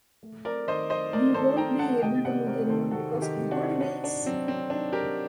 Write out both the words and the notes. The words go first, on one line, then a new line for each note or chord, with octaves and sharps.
We won't be able to meet anyone because of the holidays.
A3
C4 A#4 D5
D#3 C5 D#5
C4 C5 D#5
A3 A#4 D5
D#3 A4 C5
C4 G5 A#5
C4 F#5 A5
C3 D#5 G5
C3 D5 F#5
C4 A#4 D5
D#3 A4 C5
C3 F#4 A4
D#3
D#4 G4
C3
D4 F#4
C4
D4 D#4 F#4
D4 D#4
F#3 C4
F#3 C4
D4 D#4
D#4 G4 A#4